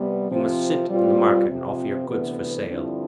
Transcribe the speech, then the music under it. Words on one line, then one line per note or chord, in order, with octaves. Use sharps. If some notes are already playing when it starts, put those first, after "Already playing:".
You must sit in the market and offer your goods for sale.'
Already playing: C3 G3 B3
C3 F3 C4
B2 G3 C4 F4
F2 C3 F3 C4
D2 C3 E3 B3
G2 D3 F3 C4 E4